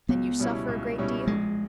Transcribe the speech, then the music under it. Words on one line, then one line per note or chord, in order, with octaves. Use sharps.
"Then you suffer a great deal?"
C#2 B3
B2 G3 C#4 E4
C#2
B2 G3 C#4 E4
A#1 G#3